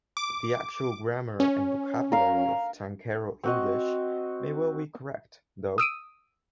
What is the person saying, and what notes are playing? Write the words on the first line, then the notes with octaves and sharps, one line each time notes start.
The actual grammar and vocabulary of "tankero English" may well be correct, though.
D6
C#4
A#4 F5
C4 F#4 D#5
D#6 E6 D7 D#7